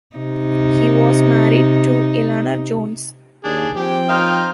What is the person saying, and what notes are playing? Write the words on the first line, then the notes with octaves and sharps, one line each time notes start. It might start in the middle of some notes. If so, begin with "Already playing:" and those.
He was married to Eleanor Jones.
C3 D#4
D#2 D4 G#4
F3 C4 G4 G5
D#4 F4 A#4 C5 D#5